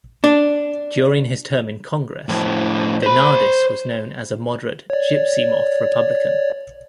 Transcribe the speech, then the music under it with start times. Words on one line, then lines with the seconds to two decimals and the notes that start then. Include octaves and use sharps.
During his term in Congress DeNardis was known as a moderate "Gypsy Moth" Republican.
0.24 D4
2.29 A2 F3
3.03 C5 B5
4.90 C#5 D5